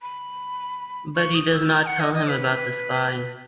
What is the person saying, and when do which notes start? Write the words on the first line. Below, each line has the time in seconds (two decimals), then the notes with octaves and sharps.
But he does not tell him about the spies.
0.02 B5
1.15 C#6
1.35 D#6
1.53 E6
1.72 A#5
1.86 F#5
2.00 D#5
2.14 D#5
2.28 B4